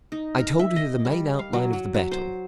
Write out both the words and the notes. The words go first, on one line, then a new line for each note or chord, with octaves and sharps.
I told her the main outline of the battle.
D#4
A#4
E5
D#5
G3
F5
F#3
F#3
F#3
C5